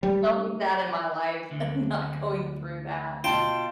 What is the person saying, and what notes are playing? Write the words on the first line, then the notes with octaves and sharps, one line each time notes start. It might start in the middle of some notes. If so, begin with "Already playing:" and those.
don't need that in my life. I'm not going through that."
G3
D2 D3
B2 F4 G5 A5 E7